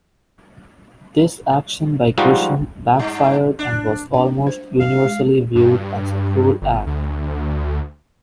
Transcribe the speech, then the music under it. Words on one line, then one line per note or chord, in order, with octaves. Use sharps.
This action by Grishin backfired and was almost universally viewed as a cruel act.
F3 G3 G#3 D#4 F4 F#4
G2
D4
D4 G5
C5
F5
G#3
G2
G1
D2